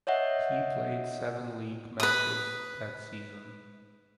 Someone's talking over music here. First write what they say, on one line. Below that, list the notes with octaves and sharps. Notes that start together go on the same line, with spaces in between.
He played seven league matches that season.
C#5 D#5 E5 F#5
B4 D#6